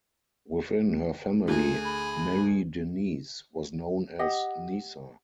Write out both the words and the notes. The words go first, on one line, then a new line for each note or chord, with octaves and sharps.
Within her family, Marie-Denise was known as Nisa.
D2 F4 G#4
B5
G4 D#5 F#5